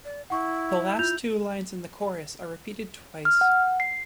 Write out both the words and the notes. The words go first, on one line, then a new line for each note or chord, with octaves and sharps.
The last two lines in the chorus are repeated twice.
D5
E4 F#5 C#6
F4 G6 F7
F6
F#5
C7